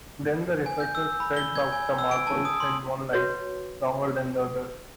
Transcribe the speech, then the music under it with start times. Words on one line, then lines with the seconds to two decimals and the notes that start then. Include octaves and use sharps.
Then the researcher spreads out the marbles in one line, longer than the other.
0.66 G#5
0.80 G6
0.95 E6
1.20 B5
1.37 G7
1.56 G#6
1.73 G#5
1.98 E6
2.11 D7
2.27 A5
2.45 D#6
2.60 C6
3.13 F#4 B4 C#5